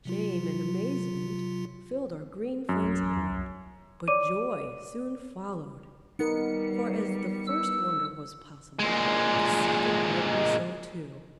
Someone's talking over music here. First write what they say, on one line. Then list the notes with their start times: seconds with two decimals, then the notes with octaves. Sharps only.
Shame and amazement filled our green friend's heart, but joy soon followed; for, as the first wonder was possible, the second might be so too.
0.05 C3 F#3 F4
2.69 F#2
2.82 A1
3.02 A1
3.15 E2
3.28 C2
4.08 C#5 D5 D6 D#7
6.19 G3 B3 D#4 A#4 C#7
7.47 E6
8.79 A#2 G#3